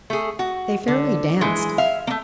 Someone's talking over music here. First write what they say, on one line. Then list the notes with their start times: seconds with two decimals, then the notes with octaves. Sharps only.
They fairly danced.
0.10 A3 G#4
0.39 F#4
0.88 D3
1.41 E3 G#3
1.78 E5 F5
2.07 A3 A#3